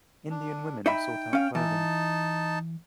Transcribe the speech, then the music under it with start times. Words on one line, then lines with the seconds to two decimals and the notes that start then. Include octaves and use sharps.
Indian women sort out clothing.
0.30 D4
0.86 D#4 E5 G5 B5
1.33 C#4 F5
1.55 E3 D#4 A5